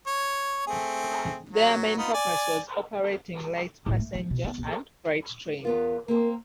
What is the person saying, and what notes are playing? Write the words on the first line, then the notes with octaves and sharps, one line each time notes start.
Their main purpose was operating light passenger and freight trains.
C#5
A3 C4 G#4
F#3
B3 D#4 F4
D5 G#5
A2 B3
A3
F3
B2
B3
A#1
E2 B3 F4 A#4
A#3 C4 A#4 C5